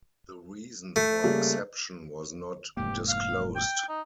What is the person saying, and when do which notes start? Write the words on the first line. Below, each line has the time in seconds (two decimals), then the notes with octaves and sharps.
The reason for exception was not disclosed.
0.96 A3
1.24 C#3 G3 A#3
2.77 F1 G#2 A#3 G4
3.08 F5
3.56 G5
3.89 D#4